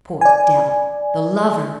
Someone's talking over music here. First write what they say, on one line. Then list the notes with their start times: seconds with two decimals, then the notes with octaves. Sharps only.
Poor devil--the lover!
0.21 D5 G#5